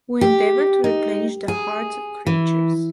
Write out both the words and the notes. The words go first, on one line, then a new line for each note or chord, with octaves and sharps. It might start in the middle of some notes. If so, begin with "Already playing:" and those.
We endeavor to replenish the hearts of creatures.
G4
D#4
G#4
E3